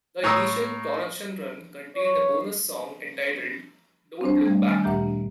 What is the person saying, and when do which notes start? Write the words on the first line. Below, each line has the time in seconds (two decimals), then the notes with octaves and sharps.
The initial production run contained a bonus song entitled "Don't Look Back".
0.24 A2 C#5 A#5 D#6 E6
1.96 C#5
4.21 C4 D4 C5
4.44 G3 A3 G#6
4.67 D#3 G#5 F6 A6
4.84 D2 A#2 G4 E5 A#5 G6